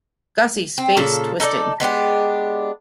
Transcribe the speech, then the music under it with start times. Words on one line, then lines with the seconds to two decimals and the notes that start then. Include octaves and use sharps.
Gussie's face twisted.
0.78 C4
0.97 A#2 C#3 A4
1.40 D#4 A4 B4 D5
1.80 G#3 B3 D4 G4